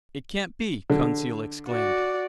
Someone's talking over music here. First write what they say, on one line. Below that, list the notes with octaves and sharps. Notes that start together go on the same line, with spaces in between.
"It can't be!" Conseil exclaimed.
D3
F#4 D5